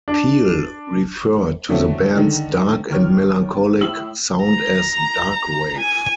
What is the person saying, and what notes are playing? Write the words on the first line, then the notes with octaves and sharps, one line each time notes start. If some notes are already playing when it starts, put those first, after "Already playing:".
Peel referred to the band's dark and melancholic sound as "darkwave".
D4
D3 E3 F#3 A3 B3 C4
D3 D#3 G#3 D#4
E2 D#3 C#5 F6
A2 E6 F#7
A#5
G#5